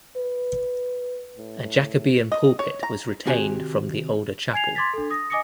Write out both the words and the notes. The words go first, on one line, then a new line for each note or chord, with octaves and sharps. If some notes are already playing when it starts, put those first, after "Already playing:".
A Jacobean pulpit was retained from the older chapel.
B4
A2
D#5
C#5
A#5
C3 D#3 F#4 G4 G#5
G#5 G#6 C7 F7
C6 D6 G#6 A6 B6
D4 A4
D#6 A#6
D#5 G#5 D6 D#6 A#6 C#7